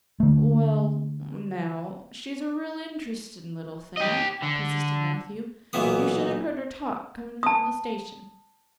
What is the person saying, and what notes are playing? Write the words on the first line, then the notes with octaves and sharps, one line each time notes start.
"Well now, she's a real interesting little thing," persisted Matthew. "You should have heard her talk coming from the station."
D3 A3
G4 D#5
D3
B1 A#2 E3 B3 D#6
A5 D#6